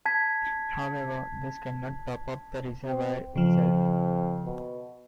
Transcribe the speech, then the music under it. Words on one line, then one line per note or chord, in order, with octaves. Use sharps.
However this cannot top up the reservoir itself.
A5 G#6 B6
C4
F2 C#3 F3
B2